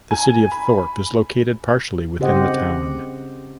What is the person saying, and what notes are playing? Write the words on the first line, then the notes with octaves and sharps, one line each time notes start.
The City of Thorp is located partially within the town.
G#5
B5
C#3 C4 G4 C5 D#5 F#5